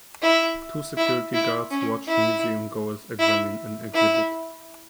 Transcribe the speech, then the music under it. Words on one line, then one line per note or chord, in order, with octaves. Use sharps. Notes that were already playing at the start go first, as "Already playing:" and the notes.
Two security guards watch museum goers examine an exhibit.
E4
E4
E4
C#4
E4
E4
E4